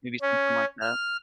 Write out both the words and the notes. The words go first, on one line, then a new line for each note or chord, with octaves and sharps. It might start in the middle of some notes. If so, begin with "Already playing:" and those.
maybe something like that?
C#4
F6